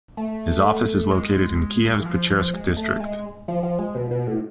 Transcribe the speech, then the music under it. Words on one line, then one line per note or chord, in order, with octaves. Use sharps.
His office is located in Kiev's Pechersk District.
A3
G#3
E3
F3
F3
G#3
A3
G#3
F3
F3
G#3
B2
B2
A2